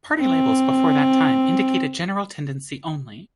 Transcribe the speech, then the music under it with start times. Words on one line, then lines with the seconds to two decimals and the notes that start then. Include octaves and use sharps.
Party labels before that time indicate a general tendency only.
0.20 C4